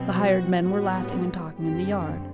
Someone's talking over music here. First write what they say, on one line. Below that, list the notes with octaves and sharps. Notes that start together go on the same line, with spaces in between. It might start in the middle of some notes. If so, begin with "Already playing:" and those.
The hired men were laughing and talking in the yard.
Already playing: B2 F#3 C4
F#4
A2 G3 B3 F#4
F#2 D3 A3 C4 G4